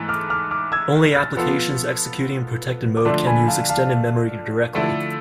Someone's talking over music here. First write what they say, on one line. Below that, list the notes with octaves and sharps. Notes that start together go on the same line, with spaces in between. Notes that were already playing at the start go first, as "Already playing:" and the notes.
Only applications executing in protected mode can use extended memory directly.
Already playing: G#2 E3 A3 E4 A4
D6 F6
D6 F6
D6 F6
E6 G#6
F6 A6
F3 B3 F4 A4
D6
D3 F3 A3 D4 A5 C6
G#5 B5
F5 A5
F5 A5
D3 F3 A3 E4 A4